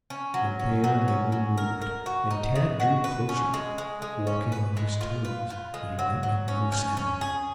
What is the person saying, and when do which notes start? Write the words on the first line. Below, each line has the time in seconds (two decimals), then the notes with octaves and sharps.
The bear never moved and Tad drew closer, walking on his toes that he might make no sound.
0.10 C#4
0.34 F#3
0.59 C#4
0.84 F#3
1.08 C#4
1.32 F#3
1.58 A#4
1.82 A#4
2.06 F#4
2.31 D#4
2.56 G#3
2.80 F#4
3.04 B4
3.29 C#4
3.54 G#3
3.78 G#3
4.02 G#3
4.27 C#4
4.52 B4
4.77 G#3
5.01 F4
5.25 B4
5.50 F4
5.74 G#3
5.99 F#3
6.23 F#3
6.48 C#4
6.72 C#4
6.97 C#4
7.21 G#4